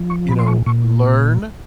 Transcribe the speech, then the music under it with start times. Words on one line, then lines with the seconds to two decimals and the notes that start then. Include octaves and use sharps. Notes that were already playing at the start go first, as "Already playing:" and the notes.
you know, learn,
Already playing: F3
0.10 C#6
0.29 A#2 B5
0.39 C6
0.48 C#6
0.66 A#2 C#6